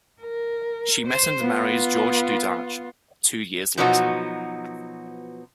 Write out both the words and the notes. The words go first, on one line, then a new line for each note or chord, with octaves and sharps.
She met and married George Dudach two years later.
A#4
C5
B3 F4
B2 F3 F#3 B3 D#4 F#4